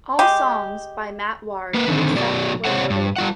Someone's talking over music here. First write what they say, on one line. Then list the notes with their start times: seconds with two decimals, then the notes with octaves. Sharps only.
All songs by Matt Ward except where noted.
0.19 G#3 G4
1.74 A#3 B4
1.88 D3 D#3 C4
2.15 B2 F#3 D5
2.65 C3 C5 C#5 F#5
2.90 G2
3.16 G3 F4 F#5